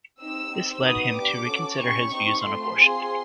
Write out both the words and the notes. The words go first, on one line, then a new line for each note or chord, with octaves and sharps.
This led him to reconsider his views on abortion.
C4 D#4 G4 E6
C4 D#4 G4
B3 D#4 F#4 D#6
D4 G4 D6
C#4 F#4 A4
C#4 E4 G4 C#6
C4 D#4 G4
A3 C4 F4 C6
C4 F4 G#4